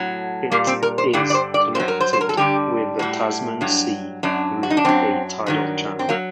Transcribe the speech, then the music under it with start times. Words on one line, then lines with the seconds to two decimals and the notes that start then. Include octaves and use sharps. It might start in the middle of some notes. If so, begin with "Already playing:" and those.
It is connected with the Tasman Sea through a tidal channel.
Already playing: A2 F#3
0.51 A#2 G3 A#3
0.67 C4
0.83 A#4
0.98 C5
1.13 G2 D3 G3 D5
1.30 D5
1.34 C5
1.54 D5
1.75 G2 F#3 C5
1.88 A#4
2.01 C5
2.13 C5
2.21 A#4
2.29 A4
2.37 G2 D3 G3 G4
2.99 A2 G3 F#4
3.61 G2 F#3
4.23 F#2 F#3 D4
4.63 F#4
4.70 D#4
4.77 D4
4.85 F#2 F#3 C4
5.46 G2 D#3 F#3
5.99 C4
6.09 F#3 A#3